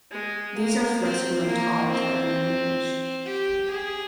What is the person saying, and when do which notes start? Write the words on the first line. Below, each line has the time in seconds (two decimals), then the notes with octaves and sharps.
These are flexible and taught entirely in English.
0.12 G#3
0.57 A#3
1.01 C4
1.46 A#3
1.91 C4
3.26 G4
3.70 G#4